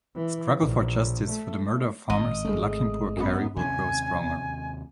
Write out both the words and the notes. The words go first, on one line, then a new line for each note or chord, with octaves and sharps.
Struggle for justice for the murder of farmers in Lakhimpur Kheri will grow stronger.
E3
A#1
A3
G#1 D#5
G#1 A3 G#4
F#2 B3
D#2 C3 C#4 G#5